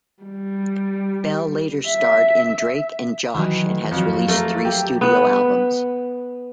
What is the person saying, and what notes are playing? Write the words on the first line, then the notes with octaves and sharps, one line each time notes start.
Bell later starred in "Drake and Josh" and has released three studio albums.
G3
E5
D#3 E3 F#3
F2 F3 F#3
A3 A#3
G4
B3